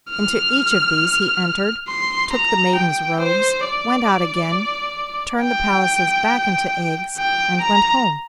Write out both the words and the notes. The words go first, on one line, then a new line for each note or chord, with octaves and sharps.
Into each of these he entered, took the maidens' robes, went out again, turned the palaces back into eggs, and went home.
F6
C6
A#5
G5
C5
D5
G5
G5
A#5